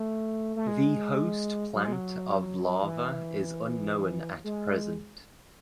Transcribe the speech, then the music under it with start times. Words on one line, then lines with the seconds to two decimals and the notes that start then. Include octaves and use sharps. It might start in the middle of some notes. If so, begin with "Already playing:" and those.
The host plant of larva is unknown at present.
Already playing: A3
0.56 A3
0.67 G#3
1.75 F#3
1.85 G#3
1.93 F#3
2.83 E3
4.44 G#3